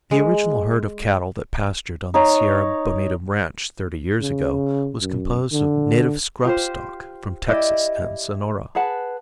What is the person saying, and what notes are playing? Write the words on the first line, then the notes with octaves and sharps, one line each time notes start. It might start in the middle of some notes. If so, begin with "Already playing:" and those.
The original herd of cattle that pastured on the Sierra Bonita ranch thirty years ago was composed of native scrub stock from Texas and Sonora.
G#3
D#4 C#5 A#5
C#3
F#2
D3
F4 G4 C5
E4 G4 D5 D#5
G#4 B4 F#5 A5